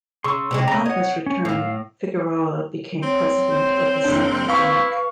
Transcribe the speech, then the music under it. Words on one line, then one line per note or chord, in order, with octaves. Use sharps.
Upon his return, Figueroa became president of the Central Bank.
C#3 C6 C#6 E6
C3 G3 G#3
C#3 A#5 B5
C#5 D#5 F#5
C#4
A2 F5
C4 C#5
C5
F#1 D4
E4 B4 F5 C#6